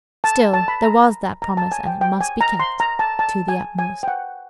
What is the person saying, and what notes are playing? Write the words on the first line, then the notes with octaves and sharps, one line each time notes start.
Still, there was that promise, and it must be kept--to the utmost.
A5
A5
B5
A#5
A#5
A5
G#5
G5
G5
G#5
A#5
C6
A#5
A5
A5
G#5
G#5
G5
F#5